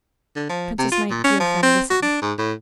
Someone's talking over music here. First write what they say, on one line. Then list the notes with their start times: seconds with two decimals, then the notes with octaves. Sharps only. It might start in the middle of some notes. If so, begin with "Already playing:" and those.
Princess, my dear friend, listen!
0.36 D3
0.50 F3
0.79 C3
0.92 F4
1.10 A#2
1.24 C#4
1.40 F3
1.63 C4
1.90 F#4
2.03 D4
2.22 G#2
2.38 A2